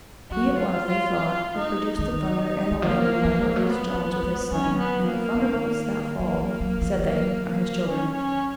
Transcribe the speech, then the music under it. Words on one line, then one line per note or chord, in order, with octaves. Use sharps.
He it was, they thought, who produced the thunder and the lightning by hurling stones with his sling; and the thunderbolts that fall, said they, are his children.
F#3 F#4
F4
F4
F4
D#4
D#3 D#4
D#3
F3 A#3
F3
F#3
F3 B3
F#3
G#3
F#3 C#4
B3
A#3
D#3
F#3 A#3
F#3
F#3
F3
F#3 A#3
A#3
C#4
C#4